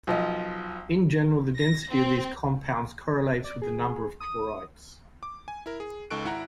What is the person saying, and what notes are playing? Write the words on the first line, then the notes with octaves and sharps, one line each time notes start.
In general the density of these compounds correlates with the number of chlorides.
B1 F3 D#5
A#6
C4
D5
G#4
D#6
D6
G#5
E4 A#4
G#4
C#2 D#4 A4 C#6 F#6 D7
G#1 E4 F#5 A#5